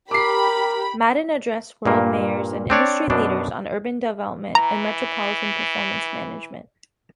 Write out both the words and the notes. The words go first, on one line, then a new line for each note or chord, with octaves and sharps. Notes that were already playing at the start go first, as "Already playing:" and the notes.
Madden addressed world mayors and industry leaders on urban development and Metropolitan Performance Management.
G4 A#4 B5 D6 C7
G2 A#2 A#3
C4 D4 C#5 D5
F#2 B2 D4
E3 A#5